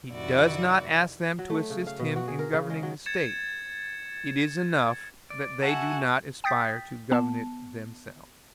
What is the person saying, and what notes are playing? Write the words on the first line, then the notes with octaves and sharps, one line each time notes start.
He does not ask them to assist him in governing the State; it is enough that they do not aspire to govern it themselves.
F2 C3 D#3 E4 F#4 D5
F#3
A3
C#3
F5
B2
F#4
G#4
A#4
C#3
G#3
F#3
G#6 A6 C#7 E7
D5
F#4 E5 F#5 G#5 A5
G5 D#6 G6 A6 B6
B3 A5